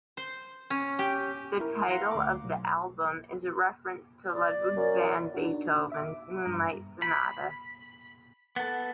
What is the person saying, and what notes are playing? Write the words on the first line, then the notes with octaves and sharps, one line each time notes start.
The title of the album is a reference to Ludwig van Beethoven's "Moonlight Sonata".
C5
C#4
G4
E4 A#4
F5 F#5 A#5 C6
D2 D6
B1
D5
F#2
D4 D#4 F#4
E5 D6
G2 A#5
B5
B3 A4